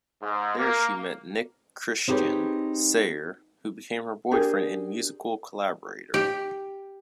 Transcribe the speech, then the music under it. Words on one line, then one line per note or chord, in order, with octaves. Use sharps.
There she met Nick Christian Sayer, who became her boyfriend and musical collaborator.
G#2
A#3
C4 D#4 G4 G#4 B4 C#5
D4 G4 G#4 A#4
G4